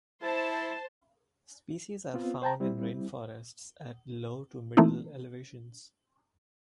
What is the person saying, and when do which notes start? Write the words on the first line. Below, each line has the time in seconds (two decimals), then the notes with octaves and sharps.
Species are found in rain forests at low to middle elevations.
0.23 E4 C5 A5
2.14 B3 C4 F4
2.42 C5 G5 A5 A#5
2.60 G3 C4 E4
4.77 E3 A3 A#3 C4 D#4 E4